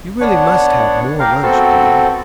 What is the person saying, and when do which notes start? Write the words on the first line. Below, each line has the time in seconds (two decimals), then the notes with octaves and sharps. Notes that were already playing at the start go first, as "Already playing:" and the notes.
'You really must have more lunch, dear.
0.20 B3 D4 C#5 F#5
1.20 G4 A#4 F5
1.43 B3 C4 F#4 A4